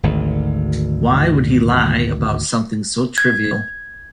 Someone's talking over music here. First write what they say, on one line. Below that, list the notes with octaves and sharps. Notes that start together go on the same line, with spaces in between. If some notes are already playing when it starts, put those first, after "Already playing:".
Why would he lie about something so trivial?
G#1 D2
G#6